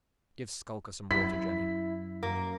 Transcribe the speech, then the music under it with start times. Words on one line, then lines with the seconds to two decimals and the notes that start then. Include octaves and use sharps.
Give Skulker some water, Jenny.
1.11 F#2 E4 B6
2.23 F#2 A#3